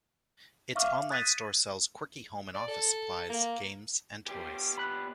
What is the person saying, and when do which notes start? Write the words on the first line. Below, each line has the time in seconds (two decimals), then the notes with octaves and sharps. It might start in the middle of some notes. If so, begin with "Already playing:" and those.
Its online store sells quirky home and office supplies, games and toys.
0.75 E5 F5 C#6 D6 F6
1.10 D#6 F#6 G#6 A6 B6 D#7
2.54 D5
2.68 A4
3.29 A#3
4.27 B3 G4
4.78 B5 F#6